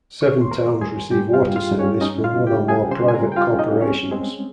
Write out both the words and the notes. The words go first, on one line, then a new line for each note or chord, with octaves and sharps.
Seven towns receive water service from one or more private corporations.
D#3 C#5 C#6
C6
G2 A#4 A#5
G2 G#4 G#5
G2 G4 G5
F4 F5
G2
F4 F5
G2
C#4 C#5
C#4 D#4 D#5
F4 F5
C#3
G4 G5
G3
G#4 G#5
C#3 C5 C6
G#5
A#4 A#5
G3
G5
F4 F5
C#4
D#4 D#5
C4 C#4 C#5
G#3 C4 G#4